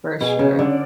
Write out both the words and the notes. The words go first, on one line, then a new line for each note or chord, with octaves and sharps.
For sure.
B2 G#4
C#3 C#4
D3 D5